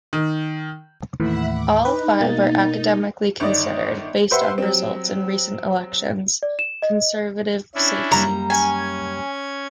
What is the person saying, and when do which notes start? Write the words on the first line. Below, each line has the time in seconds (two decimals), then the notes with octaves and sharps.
All five are academically considered, based on results in recent elections, Conservative safe seats.
0.13 D#3
1.20 D#2 A2 E3 E5 F#5 B5
1.54 D6
1.85 D#4 B4
2.20 B2 A#3 A6
3.40 G1 D#3 D5 D#5
4.31 G4 B4 C5 E5 F#5
4.58 F#3 G3 C4
6.43 D5
6.59 E7
6.82 D#5
7.75 C#4 D4 E4
8.12 F#2 G3 A#3 A#5
8.50 C#4 G#5 G#6